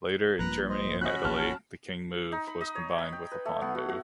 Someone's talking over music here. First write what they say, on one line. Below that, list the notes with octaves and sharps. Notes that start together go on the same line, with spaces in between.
Later in Germany and Italy, the king move was combined with a pawn move.
A#1 G2 A#2 B4 A#5 F#6
C5 D#5
C#4 F#4 D#5 B5 F#6
A#1 A#2 A5 F6
D#4
B5
D#5
C#5
B5
G5
B4
A3
B3
F#4
F#4